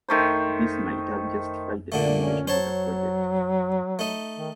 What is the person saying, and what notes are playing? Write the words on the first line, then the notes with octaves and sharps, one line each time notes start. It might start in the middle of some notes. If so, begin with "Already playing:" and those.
This might have justified the termination of the project.
D#3 A3 C5
A#2 D3 A3
C#4
F#3 C5 C#5 A5
A3 D#4
D#3